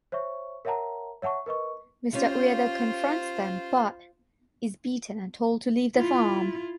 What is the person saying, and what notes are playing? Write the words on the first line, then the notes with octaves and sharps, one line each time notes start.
Mister Ueda confronts them but is beaten and told to leave the farm.
C5 C#5 E5 C#6
A#4 C#5 E5 F#5 A5 A#5
C#5 E5 F#5 A5 C#6
A#4 B4 D#5 C#6
C#4 F4 G4 C5 F5
E4 F4